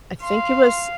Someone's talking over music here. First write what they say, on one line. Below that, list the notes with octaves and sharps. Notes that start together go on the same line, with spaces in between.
I think it was
F5 C6